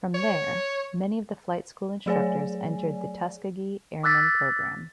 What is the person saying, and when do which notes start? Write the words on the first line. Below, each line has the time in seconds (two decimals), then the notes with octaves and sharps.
From there, many of the flight school instructors entered the Tuskegee Airmen Program.
0.15 C#5
2.06 F#3 A3 G#4 C#5 D5 G#5
4.03 D6 E6 F#6 A6 B6